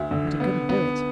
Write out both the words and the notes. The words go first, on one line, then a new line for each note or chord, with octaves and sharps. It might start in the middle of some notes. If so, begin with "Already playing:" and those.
But he couldn't do it.
Already playing: D2 E5
D3
B3
B3